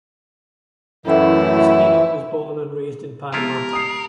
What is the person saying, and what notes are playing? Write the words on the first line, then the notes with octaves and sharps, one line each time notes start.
Espino was born and raised in Panama.
F#2 A2 E3 E4
F3 G#3 B3 E4 F4 G4 A#4
D#6 C7